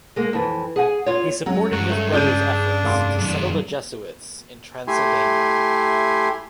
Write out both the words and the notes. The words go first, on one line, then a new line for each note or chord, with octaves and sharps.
He supported his brother's efforts to settle the Jesuits in Transylvania.
G#3 A#3
F2 E3
G#4 F#5 G#5
F4 C#5
F#3 G#3 C#4
G2 F#4
A3
C#3 D4 G6 D#7
F1 F5 C6
F#2 D#3
A3 E4 G4 G#5 C6